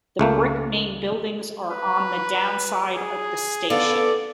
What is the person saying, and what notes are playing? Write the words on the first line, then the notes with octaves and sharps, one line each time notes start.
The brick main buildings are on the down side of the station.
C#2 A3 A#3
B4
G#4
B3 A4 D5 F5